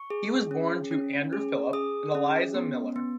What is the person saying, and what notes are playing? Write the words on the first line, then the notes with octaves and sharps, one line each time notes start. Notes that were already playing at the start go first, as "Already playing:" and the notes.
He was born to Andrew Philp and Eliza Miller.
Already playing: C#6
G#4
C#4
C#4
G#4
G#4 D#6
C#4
B3
B3